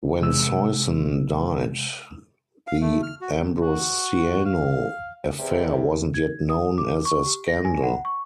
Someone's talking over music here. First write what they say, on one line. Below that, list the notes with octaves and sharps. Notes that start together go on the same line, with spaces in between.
When Soisson died, the Ambrosiano affair wasn't yet known as a scandal.
C3 G#3 E6
F5
A3
F6
F#4
F#4
F5
E2 C3
G#6
D#6
D6
C#6
G4
A#6
G#5
F#5
C#6